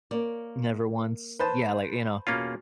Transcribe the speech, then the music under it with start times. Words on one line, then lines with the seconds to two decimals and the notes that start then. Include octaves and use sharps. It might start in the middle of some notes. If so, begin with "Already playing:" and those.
Never once Yeah, like, you know,
0.11 A#3 C#5 D5
1.39 B4 C5 A5
2.27 E2 B2 A#3 C#4 F4